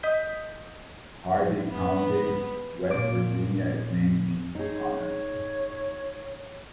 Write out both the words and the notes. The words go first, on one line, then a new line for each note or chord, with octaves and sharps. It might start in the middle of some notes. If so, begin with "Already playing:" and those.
Hardy County, West Virginia is named in his honor.
D#5 D#6 G6 B6
B3
A#2 D6
D#4 G#4 C#5